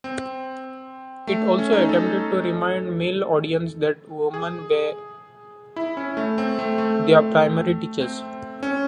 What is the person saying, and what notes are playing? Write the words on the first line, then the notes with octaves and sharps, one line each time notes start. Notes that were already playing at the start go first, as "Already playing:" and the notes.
It also attempted to remind male audience that women were their primary teachers.
C4
A3
C#4
D#4
A4
G#4
E4
C#4
A3
C4
A3
A3
C4
C#4